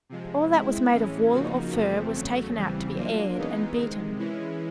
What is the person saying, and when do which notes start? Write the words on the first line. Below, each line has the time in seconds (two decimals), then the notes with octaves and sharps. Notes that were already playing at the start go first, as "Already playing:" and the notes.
All that was made of wool or fur was taken out to be aired and beaten.
0.09 C3 F3 G#3
0.51 G#3 C4 E4
0.92 A2 E3 G#3 C#4
1.32 C#3 F3 A#3 D#4 F#4
1.73 E2 C3 F3 A3 C4
2.14 E2 C#3 F#3 A3
2.55 E2 C#3 E3 G3 C4
2.95 F#3 A#3 D4 F4
3.37 C#3 E3 G#3 B3 D#4
3.77 C3 D#3 G#3
4.18 E3 G#3 C#4 E4